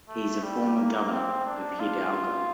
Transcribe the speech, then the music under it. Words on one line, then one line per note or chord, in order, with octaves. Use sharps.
He is a former governor of Hidalgo.
A3
G3
A#3
C4
D4
F4